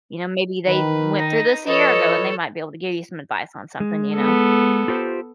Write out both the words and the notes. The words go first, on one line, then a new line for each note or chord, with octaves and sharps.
you know, maybe they went through this a year ago and they might be able to give you some advice on something, you know?
D#3 B4
D#4 A#6
F3 A4 B4 C#5 D#5
G#3
B3 A4
F4 G4 C5